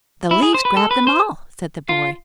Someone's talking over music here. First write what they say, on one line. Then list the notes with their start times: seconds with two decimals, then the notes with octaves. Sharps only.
"The leaves grabbed them all," said the boy.
0.31 E4
0.42 G#4
0.54 C5
0.65 B4
0.77 A4
0.91 B4
1.07 C5
1.89 F4